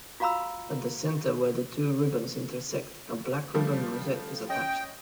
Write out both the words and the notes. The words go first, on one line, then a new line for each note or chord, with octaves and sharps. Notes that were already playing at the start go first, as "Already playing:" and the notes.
At the centre where the two ribbons intersect a black ribbon rosette is attached.
F4 F#4 F5 A#5 B5 E6
F3 G3 A3
C#4 D#5 G5